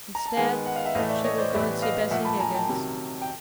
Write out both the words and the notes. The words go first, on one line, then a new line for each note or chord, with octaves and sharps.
Instead, she would go and see Bessy Higgins.
A#5
A5
D#3 G#3 B3 F#5 G#5
F#5
F5
E5 F#5
A2 E3 A3 D#5 F5
D5 E5
C#5 D#5
C5 D5
A2 E3 G3 B3 D5 E5
D#5 F5
A#2 F3 A3 E5 F#5
A5 B5
G#5 A#5
G5 A5
C3 D#3 F#3
G5